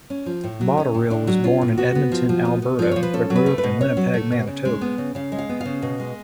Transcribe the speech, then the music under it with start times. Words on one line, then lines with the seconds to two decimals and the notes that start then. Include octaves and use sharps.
Botterill was born in Edmonton, Alberta, but grew up in Winnipeg, Manitoba.
0.10 C#4
0.26 F3
0.44 A2
0.61 F#3
0.77 C#4
0.94 A2
1.10 A2 D4
1.27 F#3
1.44 C#4 F4
1.61 A2
1.78 B3 F#4
1.95 B3
2.12 F3
2.29 F3
2.45 B3
2.62 B3
2.79 F3 D5
2.91 F3 C#5
3.03 B4
3.14 C#4 A4
3.30 F#3
3.36 B4
3.46 A3
3.58 B4
3.64 B2
3.81 C#4 C#5
3.97 F#3
4.14 A3
4.32 B2
4.47 C#3
4.65 G#3
4.81 B3
4.98 C#3
5.15 C#3 F5
5.32 G#3
5.38 F5
5.49 B3
5.61 C#3 F5
5.82 B2
6.00 G#3